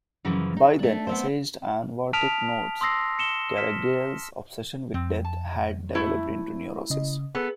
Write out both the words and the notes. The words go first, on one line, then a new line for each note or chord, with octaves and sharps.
By then, essayist Ion Vartic notes, Caragiale's obsession with death had developed into "neurosis".
F#2 C#3 E3 F3
D#4
A3 D4
B3 C4 C5
A5 D#6 F6 B6 D7 F7
C6 D#6 E6 A#6 C7
C#7 E7 G7
F6 B6 E7
F2 C4
A5
A3 E4
C#3 D#5
B3 G#4 A4 B4